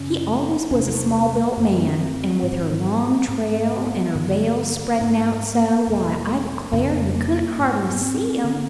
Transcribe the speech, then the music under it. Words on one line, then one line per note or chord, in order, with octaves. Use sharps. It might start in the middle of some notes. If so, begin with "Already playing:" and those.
He always was a small-built man, and with her long trail and her veil spreadin' out so, why, I declare, you couldn't hardly see him.
Already playing: F#2 C#3 C#4
E2 C3 C#4
A#3
A3
F#2 D3 A#3
C#4
C4
G#2
G#2
B3
G2 D3
G#2
A#3
E2 B2
F2 C#3
A#3
G#2
A#3
B3
C4
D3